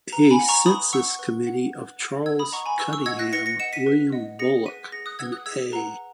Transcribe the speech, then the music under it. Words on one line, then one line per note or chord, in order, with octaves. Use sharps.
A census committee of Charles Cunningham, William Bullock and A.
B4 A#5
G#5 B5
F#5
A#5 C#6
B4 B5 D#6
F#5 C#6 E6
B4
F#5
B4
F#5
B4 E6 G#6
B5 D#6
D#5 F#5 A#5 C#6
G#5 B5
B4 C#6 E6
C#6 E6
D#5 F#5 E6 G#6
F#6 A#6
B4 A#6 C#7
A#6 C#7
D#5 F#5 C#7 E7
B6 D#7
B4
D#5 F#5
G#4 A#6 C#7
B4 F#5 B6 D#7
G#4 A#6 C#7
D#6 F#6
B4 F#5 E6 G#6
D#6 F#6
G#4 E6 G#6
B4 F#5 A#5